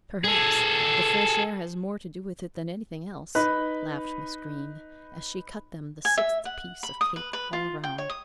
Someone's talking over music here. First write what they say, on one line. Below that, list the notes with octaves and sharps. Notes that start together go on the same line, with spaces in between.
"Perhaps the fresh air has more to do with it than anything else," laughed Miss Green, as she cut them the sixth piece of cake all around.
G#4 A4
D#4 B4 B5 F#6
G#5
E5
F#5
B5
D#6
B4
B4
F4
G5
C#5
D#6